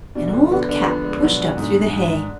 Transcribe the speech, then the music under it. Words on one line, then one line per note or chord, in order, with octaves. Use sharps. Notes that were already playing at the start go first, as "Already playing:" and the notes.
An old cap pushed up through the hay.
B2 D4
D3
F3
D3 B3
D3
F3 B3
G#3
B2 F#3
F3
G#2 D3
G#2